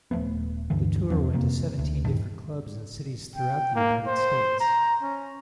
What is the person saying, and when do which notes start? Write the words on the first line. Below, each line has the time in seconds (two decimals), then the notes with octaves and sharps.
The tour went to seventeen different clubs in cities throughout the United States.
0.11 D#1 F3 A3 B3
0.70 D2 G2 D3 E3
1.11 E2 D#3 F3 C4
1.33 F2 C3 A#3
1.79 D2
2.04 G2 A#2 D#3
3.35 G5
3.76 A#3
4.07 C5
4.60 A#5
5.02 C#4